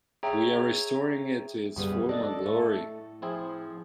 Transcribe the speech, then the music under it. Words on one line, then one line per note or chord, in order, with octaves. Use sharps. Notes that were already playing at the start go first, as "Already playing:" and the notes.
We are restoring it to its former glory.
G#4 C#5 E5 G5 A#5
G1 F#2 G3 B3 G#4
D4 A4 D5 D#5
A2 A3
F3 C4 E4 G#4